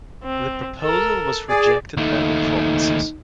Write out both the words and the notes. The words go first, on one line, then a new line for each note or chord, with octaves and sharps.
The proposal was rejected by the provinces.
C4
A4 A#4
G#4 D5
D#2 A3 D#4